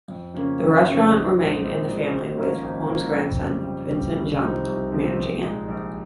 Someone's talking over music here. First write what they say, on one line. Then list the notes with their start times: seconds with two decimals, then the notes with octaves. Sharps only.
The restaurant remained in the family with Quom's grandson, Vince Jung, managing it.
0.08 F2
0.34 C#3 F3 A#3 C#4
0.59 F2
0.85 C#3 F3 A#3 C#4
1.10 A#1
1.35 A#2 G#3 C4
1.60 A#1
1.87 A#2 G#3 C4
2.11 G#1
2.37 G#2 F3 A#3 C#4
2.63 G#1
2.88 G#2 F3 A#3 C#4
3.14 F2
3.39 C#3 G3
3.64 F2
3.89 C#3 G3
4.15 C2
4.40 C3 F3 C4 D#4
4.66 C2
4.92 C3 F3 C4 D#4
5.17 A#1
5.43 A#2 G#3 D#4
5.68 A#1